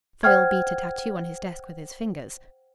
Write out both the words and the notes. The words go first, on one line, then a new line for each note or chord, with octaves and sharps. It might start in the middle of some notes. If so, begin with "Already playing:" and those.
Foyle beat a tattoo on his desk with his fingers.
C5 F#5 G5 F6 G#6